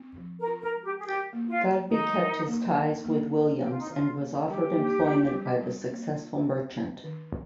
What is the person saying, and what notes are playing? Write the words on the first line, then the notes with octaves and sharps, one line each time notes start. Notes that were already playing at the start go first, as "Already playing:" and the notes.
Godbe kept his ties with Williams and was offered employment by the successful merchant.
Already playing: C4
F3
A#4
F4
A#4
G#3
G4
G#4
G4 A#4
A#3
F4
F4
D#3 D#4
A#4
A#3
D#3
A#3
D4
D#3 G4
F4
D#4
D#3 F4
A#3
G3 G4
A#3
F4
G3
G3
A#3
F4
G3
D4
D#3